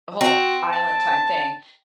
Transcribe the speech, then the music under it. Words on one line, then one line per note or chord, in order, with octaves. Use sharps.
a whole island time thing.
C4 F#4
A5